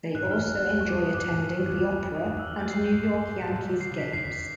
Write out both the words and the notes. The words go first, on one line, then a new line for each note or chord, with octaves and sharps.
They also enjoy attending the opera and New York Yankees games.
A2 F#6
G2
F6
G2
F#2
F2
F2
E2 C#6
F2 D6
D#6
F#2
G2 D6
A2
B2 D6
G2
G2
F#2
F2
E2
F#2
D#6
G2
F2 E6
F6
G6
C7
F2
G#2 C7
G2 C7
F#2
G2
A#2
A2
B2
F3
D#3 C7
C#3
C3 B6
F#2 C7
F2